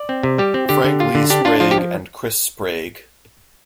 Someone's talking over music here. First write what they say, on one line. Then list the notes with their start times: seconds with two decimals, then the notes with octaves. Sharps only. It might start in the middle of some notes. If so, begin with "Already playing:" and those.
Frank Lee Sprague and Chris Sprague.
Already playing: D5
0.09 C4
0.23 C3
0.38 G3 G4
0.54 C4
0.69 D3 G4
0.84 D3
1.00 F4
1.15 D3
1.30 D4 G4
1.45 D4 F4
1.60 F3 F4
1.71 G4